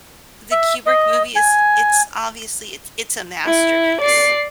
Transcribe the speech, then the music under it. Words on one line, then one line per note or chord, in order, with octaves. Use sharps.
the Kubrick movie is it's obviously it's it's a masterpiece,
E5
D#5
G#5
E4
D5 C7